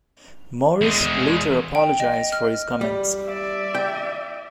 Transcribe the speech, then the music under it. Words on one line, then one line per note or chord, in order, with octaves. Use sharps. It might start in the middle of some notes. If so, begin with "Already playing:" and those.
Morris later apologized for his comments.
E2 G#3
G5
D#5
F6
G3
D5 E5
G5